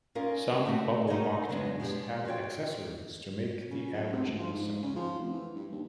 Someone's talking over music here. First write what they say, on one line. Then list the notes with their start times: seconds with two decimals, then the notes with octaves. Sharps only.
Some bubble octants have accessories to make the averaging simpler.
0.15 C#4 D#4 F4 A#4 D5
0.65 A2 C3 A3 C4 D#4 F#4
1.07 A3 D#4 A#4 C#5 D5
1.49 C#3 F#3 G#3 B3 C#4 D4
1.80 B2 F3 G#3 G4
2.25 F4 F#4 A4 C#5 G5
3.70 C#3
3.93 F#2
4.12 C3
4.25 D2
4.39 F3
4.52 G#2
4.83 C#3
4.96 F3
5.19 F1
5.33 E3
5.56 G2
5.72 D#2